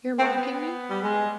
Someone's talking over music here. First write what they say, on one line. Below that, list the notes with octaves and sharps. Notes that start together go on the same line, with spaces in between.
You’re mocking me?
C4
B3
G3
G#3